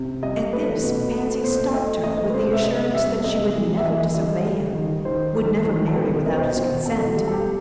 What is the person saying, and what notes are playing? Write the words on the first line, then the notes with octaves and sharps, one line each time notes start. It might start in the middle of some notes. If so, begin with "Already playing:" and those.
At this Pansy stopped her with the assurance that she would never disobey him, would never marry without his consent.
Already playing: C3
G3 D#5
A3 B4
B2
A3
B2 C5
A3 D#5
A3 D#5
B4
C3 C5
E5
C3 D#5
G3 E5
C3 D#5
E3
E5
E3 D#5
E5
G3 D#5
G3
D#3
D#3 C5
D#3
D#3
A4
B2 B4
B2 D#5
C5
D#5
B2 C5
B2 A4
G3
A4
G4